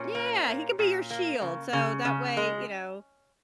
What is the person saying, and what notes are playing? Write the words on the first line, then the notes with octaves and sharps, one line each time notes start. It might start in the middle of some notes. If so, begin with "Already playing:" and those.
Yeah, he could be your shield, so that way, you know?
Already playing: A#2 C#4
A#3
A#2
A#2
A#3
C#3
C#3
C#3
G#3